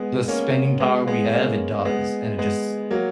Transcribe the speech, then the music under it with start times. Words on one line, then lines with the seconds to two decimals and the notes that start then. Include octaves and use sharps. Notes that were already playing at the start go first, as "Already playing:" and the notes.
the spending power we have, it does, and it just
Already playing: G#3 B3
0.28 A#3 C#4
0.80 G#3 B3
1.07 G#3 B3
1.33 A#3 C#4
1.85 G#3 B3
2.38 G#3 B3
2.91 F#3 A#3